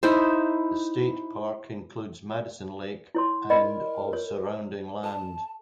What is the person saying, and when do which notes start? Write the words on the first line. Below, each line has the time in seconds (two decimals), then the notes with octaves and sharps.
The state park includes Madison Lake and of surrounding land.
0.03 D#4 E4 C5
3.15 E4 C#5 C6
3.50 A#4 D5 D#5 B5
4.13 C#5
5.04 A4 A5